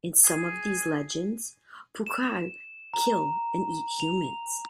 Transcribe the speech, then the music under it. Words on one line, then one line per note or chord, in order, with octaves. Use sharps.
In some of these legends pouakai kill and eat humans.
G#4
E7
A#5
F7